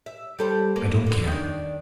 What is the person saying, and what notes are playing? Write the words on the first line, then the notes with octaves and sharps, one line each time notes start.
I don't care.
E5
G3 A4 C5
A#3
D3 F#4
D#3 D4